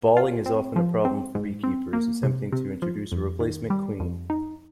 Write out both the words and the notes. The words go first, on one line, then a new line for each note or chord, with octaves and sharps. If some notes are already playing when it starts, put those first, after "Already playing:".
Balling is often a problem for beekeepers attempting to introduce a replacement queen.
F4
C4
F3
C4
G#2
C4
A#3
C3
C3
F3
F2
D#3
G3
F2
D#4